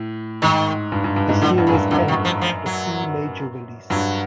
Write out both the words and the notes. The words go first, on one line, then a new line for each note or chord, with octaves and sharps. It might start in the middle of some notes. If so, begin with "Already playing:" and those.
The series ended after three major releases.
Already playing: A2
G#2 D#3
G2
G2
G2
G#2
A2 D3
G2
C#3
F#2
G2
F#2 D3
D#3
F3
F3
F#3
G2 F#3